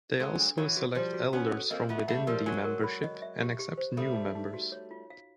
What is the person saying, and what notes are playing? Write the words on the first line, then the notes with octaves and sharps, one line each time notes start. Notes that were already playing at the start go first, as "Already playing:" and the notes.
They also select elders from within the membership and accept new members.
F#3 G#3 A4
D4
E3 F#3 C#5
F#4
F3 G3 C5
F#4
B3 C#4 F#4
A4
A#3 C4 D#5
A3 B3 F4
G3 A3 F#5
F3 G3 A#4
F#3 G#3 G#5
A#4
B5
D#5
E5
G4
G4
C5
G3 A3 A4
D#4
D#4
F#4
C#5
F4
F5